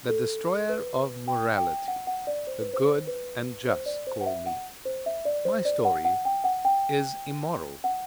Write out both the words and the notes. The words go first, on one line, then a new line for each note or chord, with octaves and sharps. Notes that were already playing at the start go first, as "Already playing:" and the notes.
The destroyer of morality, the good and just call me: my story is immoral.
A4
B4
G5
G5
F#5
F#5
D5
C5
B4
C5
B4
C5
D5
C5
F#5
E5
F#5
C5
E5
D5
C5
D5
F#5
F#5
G5
F#5
G5
F#5